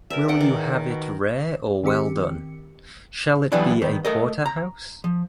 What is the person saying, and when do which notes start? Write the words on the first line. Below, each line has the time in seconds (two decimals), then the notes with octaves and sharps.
Will you have it rare or well-done? Shall it be a porterhouse?
0.10 E2 A#4 E5
0.28 D5 F#5 G5
0.41 D#3
0.90 B2
1.83 D#3 C4 G4 C#7
3.52 E3 F#3 G3 B3 D4 E4
3.82 G2 D#3 B3
4.05 A3 A#4 D#5
4.46 A#5
5.04 F3